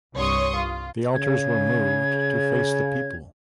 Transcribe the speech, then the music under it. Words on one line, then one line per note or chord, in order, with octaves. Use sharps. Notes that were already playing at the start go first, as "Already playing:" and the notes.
The altars were moved to face the people.
C2 G2 C#5 C6 C#6 D#6
F4
C#3 G#6